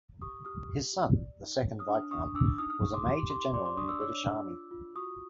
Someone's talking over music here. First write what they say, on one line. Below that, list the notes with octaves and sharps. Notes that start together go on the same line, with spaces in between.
His son, the second Viscount, was a Major-General in the British Army.
G4 C#6 D#6
G4 D#6 F6
G4
G4
D5
D#4
C#5
D#6 F6
D4
D#6 F6
D4 C#6 D#6
D4 D6 E6
D#4 D#6 F6
D#6 F6
D#4 C#6 D#6
C6 D6
G4 C6 D6
G4 C6 D6
D5 C6 D6
C6 D6
D4 C#6 D#6
D6 E6
C#5 D6 E6
D4
F4
F4
F#4 C#6 D#6